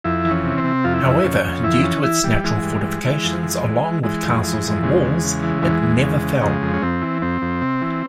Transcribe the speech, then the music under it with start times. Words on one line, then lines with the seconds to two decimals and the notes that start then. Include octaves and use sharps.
However, due to its natural fortifications along with castles and walls it never fell.
0.05 F2 E4
0.25 E3
0.31 C#4
0.44 C3
0.58 C4
0.64 C3
0.84 F2 F4
0.94 E4
1.02 F2 C#4
1.11 E4
1.24 F2 C#4
1.45 F2
1.63 E3 E4
1.83 E3 C#4
2.03 E3 E4
2.24 E3 G3
2.44 E3 G#3
2.63 G2
2.84 E3
3.03 E3
3.24 F2
3.43 E3
3.63 E3
3.84 E3
4.03 E3 G#3
4.24 F2
4.44 E3
4.63 F2
4.83 C#3 G#3
5.03 E2
5.23 C#3
5.43 E3
5.62 E2 G#3
5.83 E2
6.02 C#3
6.22 C#3
6.42 F2 G#3
6.62 F2
6.74 C#4
6.82 F2 C4
7.02 E3
7.22 F2 C4
7.42 F2
7.62 C3
7.82 E3